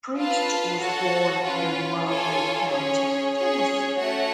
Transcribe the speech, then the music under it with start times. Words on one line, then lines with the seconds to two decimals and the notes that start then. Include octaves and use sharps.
Priest was born in Maury County, Tennessee.
0.17 F4 B4 F5 A5
0.80 F#4 A4 C#5 F#5 A5
1.43 C#4 F4 B4
2.07 F4 A4 C#5 G#5
2.70 C#4 G#4 C#5
3.35 C#4 G#4 C#5
3.98 A3 C#4 F#4 C#5 F#5